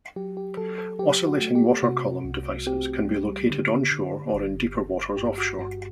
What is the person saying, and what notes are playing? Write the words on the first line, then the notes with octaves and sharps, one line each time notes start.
Oscillating Water Column devices can be located on shore or in deeper waters offshore.
F#3 G4
G4
F#3 A4
A4
F#3 G4
F#4
A3
G4
C3 F#4
C2
C4 G4
G3
D3
D3
G1
G1
G2 G4
F#4
G2 F#4